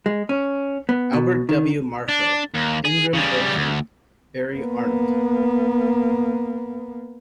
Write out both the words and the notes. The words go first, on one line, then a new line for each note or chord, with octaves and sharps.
Albert W. Marshall, Ingram Olkin, Barry Arnold.
G#3
C#4
B3
B2
D#3
D4
D#2
G#4
C#3 G3
D2
A#3 B3